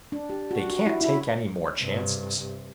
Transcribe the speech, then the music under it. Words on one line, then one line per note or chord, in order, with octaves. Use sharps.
They can't take any more chances.
D4
G4
F#4
F#4
E4
E4
G2 C3